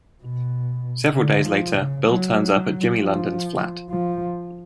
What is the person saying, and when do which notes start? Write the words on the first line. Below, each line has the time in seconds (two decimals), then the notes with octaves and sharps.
Several days later, Bill turns up at Jimmy's London flat.
0.24 B2
1.14 D3
1.46 F3
1.76 C#3
2.07 F#3
2.52 F#3
2.98 F3
3.89 F3